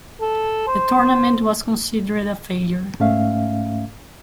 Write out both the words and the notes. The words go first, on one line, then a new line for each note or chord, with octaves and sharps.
The tournament was considered a failure.
A4
C5
G#2 A3 C#4 E5 F5